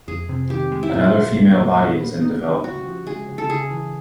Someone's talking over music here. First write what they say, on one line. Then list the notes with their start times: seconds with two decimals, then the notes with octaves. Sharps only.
Another female body is in development.
0.08 F2 G#4
0.29 C3
0.50 D#3 G4
0.72 G#3
0.83 E4
0.93 A#2 F4
1.15 F#3
1.37 A#3
1.58 A#2
1.79 F#3
2.00 B3
2.21 D#4
2.42 G4
2.64 C#3 F#4
2.85 F3
3.07 G#3 G#4
3.28 C#3
3.38 A4
3.49 C#3 G#4
3.71 E3